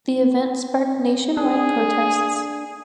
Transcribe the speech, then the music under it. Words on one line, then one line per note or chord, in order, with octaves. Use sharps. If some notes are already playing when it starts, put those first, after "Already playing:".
The event sparked nationwide protests.
D4 G#4